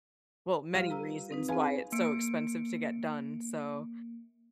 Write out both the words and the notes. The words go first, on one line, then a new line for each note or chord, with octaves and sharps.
Well many reasons why it's so expensive to get done, so
G3 F4 F5 D#7
B4 A#5 E6
C4 D#4 B4
C4 G#4 B4 F5 G#5
A#3 C#7 D7